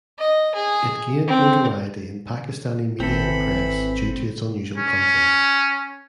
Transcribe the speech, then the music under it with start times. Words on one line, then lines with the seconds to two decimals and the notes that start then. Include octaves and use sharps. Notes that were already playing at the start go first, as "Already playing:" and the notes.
It gained notoriety in Pakistani media and press due to its unusual content.
0.19 D#5
0.55 G#4
1.28 C4
3.00 G#1 E3 C4 A4 B5
4.77 C#4